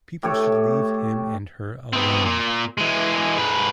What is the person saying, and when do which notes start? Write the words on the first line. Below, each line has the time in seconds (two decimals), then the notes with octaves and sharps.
People should leave him and her alone.
0.23 A2 G4 A4 C#5
1.93 B2 C4
2.25 A#2
2.78 E3 G#3
3.37 G#2 B4